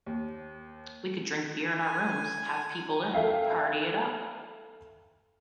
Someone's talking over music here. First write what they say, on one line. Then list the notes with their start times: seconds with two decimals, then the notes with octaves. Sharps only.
We could drink beer in our rooms, have people in, party it up.
0.06 D#2
1.80 G#5
3.13 A4 E5 F5 G5